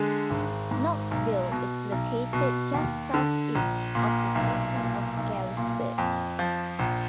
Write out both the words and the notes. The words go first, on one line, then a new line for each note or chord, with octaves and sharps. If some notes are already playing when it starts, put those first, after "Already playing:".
Knoxville is located just southeast of the City of Galesburg.
Already playing: D3 G#3
G#1
G#2
B1
B2
B1
B2
D#2
D3
A#1
A#2
B1
A#2
B1
A#2
F2
F3
A#1